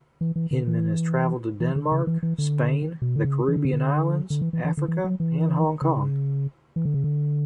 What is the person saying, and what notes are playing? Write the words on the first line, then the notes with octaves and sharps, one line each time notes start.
Hinman has travelled to Denmark, Spain, the Caribbean Islands, Africa and Hong Kong.
E3
E3
D3
E3
E3
D3
C#3
E3
E3
D3
B2
D3
C#3
E3
D3
C#3
D3
D3
E3
E3
E3
D3
E3
F#3
E3
C#3
E3
D3
C#3
D3